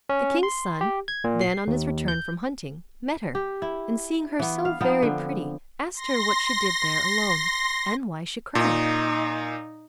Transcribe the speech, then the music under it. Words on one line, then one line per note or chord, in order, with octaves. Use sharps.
The King's son, then on his return from hunting, met her, and seeing her so very pretty, asked her what she did there alone, and why she cried.
C#4
C6
G4
G#6
A#2
C7
D#2
G6
G4
E4
E3 B3
F5
F3 B3 C4 D#4
D3
C6 A#6
A#2 D#4